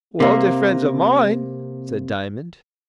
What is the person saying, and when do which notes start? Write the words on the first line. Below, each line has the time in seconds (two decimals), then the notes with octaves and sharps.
"Well, they're friends of mine," said Diamond.
0.20 C3 A#3